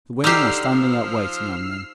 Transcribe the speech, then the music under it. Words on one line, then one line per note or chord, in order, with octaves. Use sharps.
The women were standing up waiting on them.
D3 D#4 G4 E6 F6 C7
F3